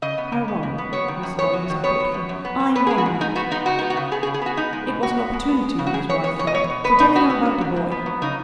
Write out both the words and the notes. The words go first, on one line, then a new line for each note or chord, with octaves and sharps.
"I wonder," Mr. Darling said thoughtfully, "I wonder." It was an opportunity, his wife felt, for telling him about the boy.
C#3 D#5
B3
C#3
B3
C#3
B3
F#3 C#5
D#3
F#2
B3 C#5
F#3
D#3
B3 C#5
F#3
F#2
F#2
B3
F#3
B3 B4
G#4
G#3
F#4
G#2
G#2 D#4
B3 F#4
G#3 D#4
C#3 F#4
B3 D#4
F#4
C#3
B3 G#4
G#4
C#3
G#4
B3 F#4
B3 D#4
G#3
B2
B2 F#4
B3
G#3
B3
G#3
C#3
F#4
C#3 G#4
B3 C#5
G#3 C#5
B2 C#5
D#5
B3 C#5
B2
B3 B4
B2 D#4
B3 F#4
B3
F#3
G#2
G#2
B3
F#3
C#3 D#4